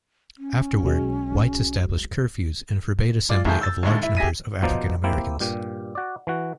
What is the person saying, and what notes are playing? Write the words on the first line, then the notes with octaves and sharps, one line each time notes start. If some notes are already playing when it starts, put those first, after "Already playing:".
Afterward, whites established curfews and forbade assembly of large numbers of African- Americans.
C#4
B1 F#3 G#3
G#3 F4 D5
D#2 G#2 G#4 E5 A5 G6
E6 A6
D#2 D3 G#3 A3
E4 E5
G4 G#4 E5 A#6 B6 D#7
B2 F3 D#4 C5 D5
A#3 C4 E4 G4
G2 A#2 G4
F#4 D5
E3 F#4